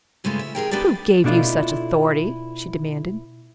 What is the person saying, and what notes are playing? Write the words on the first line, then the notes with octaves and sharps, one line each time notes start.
"Who gave you such authority?" she demanded.
G2 C#3 G#3 A3 F4
E5
F2 G#4 A#4 G5
B3 D4 G4 A4 D5
B2 A3 D4 E4 F4